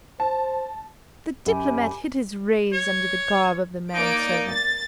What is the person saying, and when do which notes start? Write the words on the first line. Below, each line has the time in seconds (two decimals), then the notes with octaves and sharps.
The diplomat hid his rays under the garb of the man-servant.
0.20 C5 A5
1.46 F#2 G4 G#5 B5
2.73 C#5
3.94 A#3 D#4 D5 D7
4.50 A6